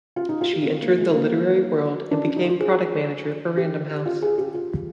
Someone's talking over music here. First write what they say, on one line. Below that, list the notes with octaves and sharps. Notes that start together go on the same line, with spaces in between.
She entered the literary world and became product manager for Random House.
F4
D#4
F4
G4
C4
A#3
G#3
A#3
D4
D4
D#4
F4
G#4
G4
F4
G#4
G4
F4